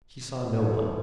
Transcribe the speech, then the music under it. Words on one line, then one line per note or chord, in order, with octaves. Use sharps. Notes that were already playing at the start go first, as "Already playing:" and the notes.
He saw no one.
G#2 E3 A3